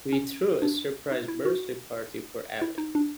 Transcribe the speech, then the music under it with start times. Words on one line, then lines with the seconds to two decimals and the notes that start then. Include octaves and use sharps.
We threw a surprise birthday party for Ali.
0.12 C#4
0.62 D4
1.12 D#4
1.28 E4
1.45 F#4
2.62 E4
2.78 D#4
2.95 D4